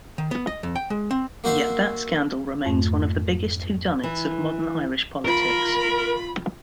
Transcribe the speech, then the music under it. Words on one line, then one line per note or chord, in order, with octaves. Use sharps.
Yet that scandal remains one of the biggest whodunnits of modern Irish politics.
D#3
B3
D#5
F2
G5
G#3
C4
A#3 F#4 C5 E5 F5
F2 G#2 A3
E3
F4 A#4 B5